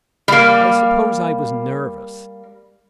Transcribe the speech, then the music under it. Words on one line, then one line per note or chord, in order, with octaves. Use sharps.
I suppose I was nervous.
G3 A#3